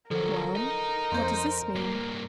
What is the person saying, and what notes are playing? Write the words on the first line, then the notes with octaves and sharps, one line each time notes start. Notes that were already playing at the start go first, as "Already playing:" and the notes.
'Well? what does this mean?'
D3 F3 F#3 A4 A#4
D#5 A#5
F2 C5
G2 A#3